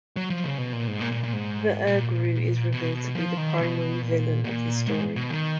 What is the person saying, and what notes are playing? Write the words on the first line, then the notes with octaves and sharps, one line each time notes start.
The Ur-grue is revealed to be the primary villain of the story.
F#3
F3
C#3
B2
A#2
G#2
A#2
A#2
A#2
G#2
A#2
B2
F3
D#3
B2
A#2
A#2
G#2
B2
D#3